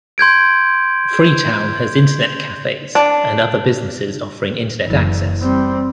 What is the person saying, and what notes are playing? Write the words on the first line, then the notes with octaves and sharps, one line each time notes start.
Freetown has Internet cafes and other businesses offering Internet access.
C6 G6 G#6 D7
D4
F#1 E3
G3 C4